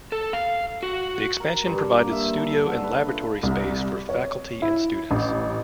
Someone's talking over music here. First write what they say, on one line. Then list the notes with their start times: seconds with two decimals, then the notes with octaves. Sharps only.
The expansion provided studio and laboratory space for faculty and students.
0.12 A4
0.33 F5
0.83 F#4
1.40 A#4
1.66 G2
1.91 A#3
2.11 E5
2.37 A5
2.67 D3
2.83 B4
3.08 F4
3.43 C2
4.09 C#5
4.62 E4
5.11 A1